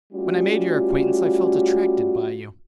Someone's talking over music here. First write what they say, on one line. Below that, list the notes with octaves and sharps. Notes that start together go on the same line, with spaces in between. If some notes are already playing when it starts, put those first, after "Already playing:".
When I made your acquaintance, I felt attracted by you.
G3 A3 C#4 F4 F#4